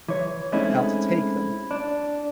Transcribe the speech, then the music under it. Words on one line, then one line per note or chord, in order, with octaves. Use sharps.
how to take them.
E3 C#5
G#3 A3 C4 C#4 D#4 E4
D4